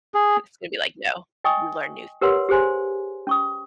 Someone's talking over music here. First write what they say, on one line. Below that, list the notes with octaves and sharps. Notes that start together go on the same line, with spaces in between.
It's gonna be like, no, you learn new things.
G#4
D#5 G5 G#5 C#6 D#6
G4 A#4 B4 C#5 F#5 C6
G4 G#4 C5 G#5 C6
C#4 C#6 D#6